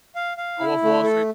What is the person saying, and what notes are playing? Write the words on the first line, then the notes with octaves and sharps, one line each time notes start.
A Wolf of Wall Street?
F5
F5
E4
A3
A4